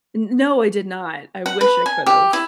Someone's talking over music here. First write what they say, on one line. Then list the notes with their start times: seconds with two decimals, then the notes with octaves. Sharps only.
N no, I did not, I wish I could have.
1.46 F#5
1.61 B4
1.86 G#5
2.06 G4
2.33 E4